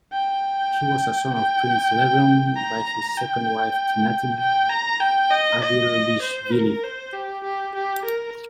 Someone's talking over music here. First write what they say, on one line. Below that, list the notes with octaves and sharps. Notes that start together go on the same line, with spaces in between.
He was a son of Prince Levan by his second wife, Tinatin Avalishvili.
G5
G5
A#5
G5
G5
A#5
G5
D#5
D#5
C5
A#4
C5
G4
G4
G4
A#4